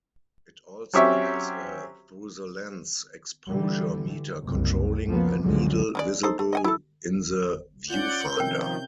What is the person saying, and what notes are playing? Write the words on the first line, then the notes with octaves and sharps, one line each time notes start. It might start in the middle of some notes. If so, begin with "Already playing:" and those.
It also has a through-the-lens exposure meter controlling a needle visible in the viewfinder.
F#3 C4 C#4 G4 E5 C#6
D3 E3 G3
F#1 C2
C#2 F3 F#3 A#3 B3
C#2 F#2 D3 F3 F#3 G#3
C#3 G#3 D5
D#4 A4 C5
A3
D#5 F#5 G#5
E4 A4
C#4 F4 D5 F#5 G6
C3 D#3 F3 C#4 A#4 G5